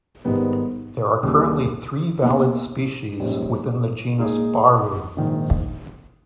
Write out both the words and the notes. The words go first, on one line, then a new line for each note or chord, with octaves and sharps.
There are currently three valid species within the genus "Baru".
G#1 G#2 G3 B3
D#2 C#3 G3
B2 A#3 D#4
A#1 G#2 G3 C#4
A#2 G#3 D#4 G#4
A#1 G#2 D#3